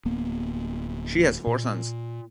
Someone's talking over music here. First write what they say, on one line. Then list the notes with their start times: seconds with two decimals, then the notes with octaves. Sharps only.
She has four sons.
0.05 D1 A#3 B3
1.47 A#2